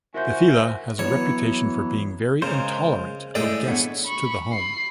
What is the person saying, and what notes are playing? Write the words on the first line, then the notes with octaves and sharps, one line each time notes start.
The Fila has a reputation for being very intolerant of guests to the home.
C#4 E4 F#4 A#4 C5 E5 G6
E3 F#3 B3 C#5
C#3 G#3 A#4 C5
A2 G#3 D5 G5 E6
B3 D4 C#5
B5 C#6
B5 C7